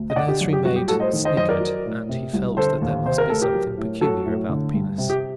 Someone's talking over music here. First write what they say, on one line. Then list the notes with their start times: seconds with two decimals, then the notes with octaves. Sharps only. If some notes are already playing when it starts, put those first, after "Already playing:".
The nursery-maid sniggered, and he felt that there must be something peculiar about the penis.
Already playing: D2
0.10 D#5
0.16 D3 D5 F#5
0.28 G4
0.41 F#2
0.53 G4
0.65 G3 F#4
0.76 G4
0.88 A2 F#4 A4
1.00 C5 D#5
1.13 D#3
1.25 C5 D#5
1.37 F#2 C5 D#5
1.49 A#4 D5
1.60 F#3
1.85 A2
2.09 C3
2.34 C2
2.57 D3 A4 C5
2.82 D#2
3.05 C3 C5
3.18 A#4
3.30 D2 A4
3.41 G4 A#4
3.54 F#3
3.78 A2
4.01 F#3 F#4 A4
4.26 A2
4.49 D3
4.74 G2
4.98 C3
5.10 G4